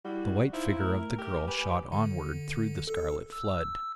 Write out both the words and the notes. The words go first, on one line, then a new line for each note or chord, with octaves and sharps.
The white figure of the girl shot onward through the scarlet flood.
G3 E4 F#4
F3 D#4 E4
A3 A#4
G4 A#4
G4 B4 G#5
D3
A4
E6